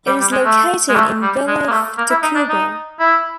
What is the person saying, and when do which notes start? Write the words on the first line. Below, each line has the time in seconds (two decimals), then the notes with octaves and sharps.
It is located in Villa of Tacuba.
0.07 G3
0.20 G3
0.32 G#3
0.45 A3
0.89 G#3
0.96 A3
1.22 G3
1.47 G#3
1.68 A#3
1.72 A3
1.98 A#3
2.10 E4
2.23 D#4
2.35 D4
2.49 D#4
2.99 E4